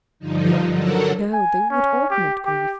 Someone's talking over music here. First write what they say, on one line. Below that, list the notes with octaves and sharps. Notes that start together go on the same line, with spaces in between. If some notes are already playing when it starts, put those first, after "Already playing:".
No, no, they would augment grief.
G2 D3 F3 D#4
D3 F#3 A4 A#4 F#5
G#5
C#4
G4
G4